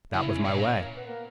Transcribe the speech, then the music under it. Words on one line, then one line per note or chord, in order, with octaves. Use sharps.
That was my way.
C#3 E4 E5
C#4 C#5
A#2 C#4 C#5
A#3 A#4
B3 B4
A#3 A#4